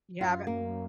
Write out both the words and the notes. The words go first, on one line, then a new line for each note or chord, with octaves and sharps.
You haven't?
F#2 F4
A#3